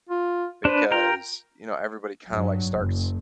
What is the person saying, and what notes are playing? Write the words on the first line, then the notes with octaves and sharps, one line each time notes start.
because, you know, everybody kind of like starts,
F4
D4 B4 C5
F4 A#4 G5 A#5
G2 F#3
F#1